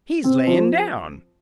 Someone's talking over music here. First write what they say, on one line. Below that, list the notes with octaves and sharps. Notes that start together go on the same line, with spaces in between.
"He's layin' down!"
C4
F3